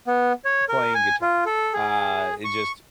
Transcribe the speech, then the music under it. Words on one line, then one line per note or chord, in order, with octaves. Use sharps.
playing guitar. Uh, it just
B3
C#5
A#4
G#5
F4
A4
G#4
C#6